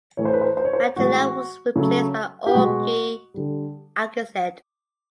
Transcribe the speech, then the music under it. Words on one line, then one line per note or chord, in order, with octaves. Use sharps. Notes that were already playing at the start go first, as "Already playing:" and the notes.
Madela was replaced by Ogie Alcasid.
A2 E3 A3 C#5
C5
B4
C5
C5
C#5
C5
A2 E3 G#3 F#4
C#3 F#3 A3
G4
B2 G#3 F#4
D3 G3